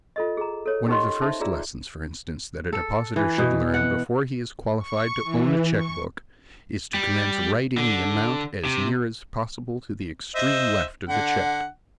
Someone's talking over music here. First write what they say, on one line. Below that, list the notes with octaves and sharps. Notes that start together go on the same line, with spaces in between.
One of the first lessons, for instance, that a depositor should learn before he is qualified to own a check-book is to commence writing the amount as near as possible to the extreme left of the check.
F4 A4 D#5
G#4 A#5
A4 C#5
C#4 D#4 G4 A#4 D#5 C6
D#4 C5 E5 A5
F4 G#4 D5 A#5 E6
A4
E3
B2
F#5
C#6
E3
C#6
G3
D3
C3
C5 D#5 E5
D3 F#5